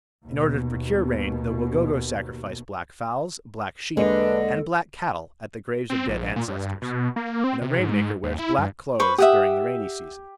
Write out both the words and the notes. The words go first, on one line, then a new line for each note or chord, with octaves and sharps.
In order to procure rain the Wagogo sacrifice black fowls, black sheep, and black cattle at the graves of dead ancestors, and the rain-maker wears black clothes during the rainy season.
D#2 B2
E2 D3 G#3 A#3 D4 B4 D#5
C4
A#1
A#2
G2
B2
A#3
C4
C3
G#2
D#2
E4
G2
B4 C5 C#6
G4 E5 F#5 D#6